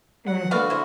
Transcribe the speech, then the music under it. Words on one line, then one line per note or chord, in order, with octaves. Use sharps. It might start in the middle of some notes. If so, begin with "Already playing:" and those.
And I think
F#5
D3 B3 F#4 D5 F5
E4 C5